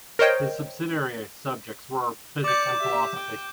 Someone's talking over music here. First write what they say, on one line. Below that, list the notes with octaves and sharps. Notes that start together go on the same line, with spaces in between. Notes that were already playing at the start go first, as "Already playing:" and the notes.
His subsidiary subjects were physics and philosophy.
A#4 C5 C#5 D#5 G5
D5 D6 G6 C#7
G4 E5
G5